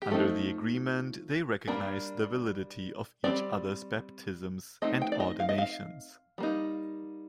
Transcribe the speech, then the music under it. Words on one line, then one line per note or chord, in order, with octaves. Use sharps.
Under the agreement, they recognize the validity of each other's baptisms and ordinations.
G4
F3 A3 C4 D#4 A4
G3 A#3 D4 A#4
G3 C4 D#4 D5
A3 C4 D#4 D#5
G5
D5
D#5
F5
D#5
F5
G3 A#3 D#4